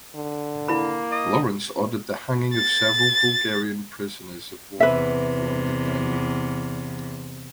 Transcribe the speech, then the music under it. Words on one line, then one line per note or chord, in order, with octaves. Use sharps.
Lawrence ordered the hanging of several Bulgarian prisoners of war along the Danube.
D3
A#3 E4 B5
D#5
A6
E2 C3 B4 E5